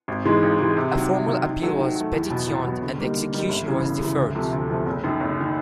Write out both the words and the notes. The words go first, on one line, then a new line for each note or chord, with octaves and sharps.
A formal appeal was petitioned and the execution was deferred.
G#1
G#2 E3 G#3
G#1
G#2 E3 G#3
C3
D#3 F#3
C3
D#3 F#3
D#3
F#3 A3
D#3
F#3 A3
E2
B2 F#3 B3
E2
B2 F#3 B3
D3
G3 A#3 D#4
D3
G3 A#3 D#4
G1
F#2 C#3 E3
G1
F#2 C#3 E3
D2
C3 F3 A3
D2
C3 F3 A3
F#1
F#2 D#3
F#1
D#3